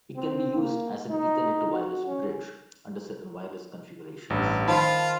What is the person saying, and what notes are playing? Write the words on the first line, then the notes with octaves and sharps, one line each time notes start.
It can be used as an Ethernet-to-wireless bridge under certain wireless configurations.
C4
A#3
D#4
F#4
C#4
A1 G2
D#3 F3 F4 A5 B5